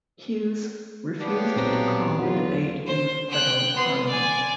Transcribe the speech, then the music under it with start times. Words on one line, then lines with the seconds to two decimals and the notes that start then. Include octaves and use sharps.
Hughes refused to call a debate in the Federal parliament.
1.20 B3 D4 G4 C#5 F5
1.56 B1 A#2 C4 A#5
2.19 E2 F#3 F4 F#4 B4
2.87 C5
3.29 G5 F#6
3.76 B3 C6
4.07 D5 G#5